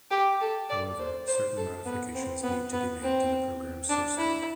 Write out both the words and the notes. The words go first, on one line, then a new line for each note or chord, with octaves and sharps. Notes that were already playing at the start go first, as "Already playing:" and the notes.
However, certain modifications need to be made to the program's source code.
G4
A4
D5
C5
C5
A4
B3
C4
B3
B3
C4
D4
E4